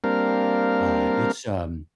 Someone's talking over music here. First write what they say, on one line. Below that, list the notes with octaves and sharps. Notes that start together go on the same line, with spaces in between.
uh, it's um,
G3 A#3 C4 D4 A#4 F5